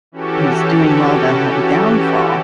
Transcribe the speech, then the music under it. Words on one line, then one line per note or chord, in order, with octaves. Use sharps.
who's doing well to have a downfall."
E3 C#4 F#4 G4 A4